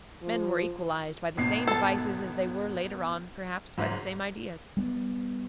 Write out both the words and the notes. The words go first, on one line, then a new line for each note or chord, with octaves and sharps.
Men were equalized by the same vices as they were later on, perhaps, by the same ideas.
F3
G#1 B2 C7
A4 A5
F#1 G#2 F#3
G3 A#3 B3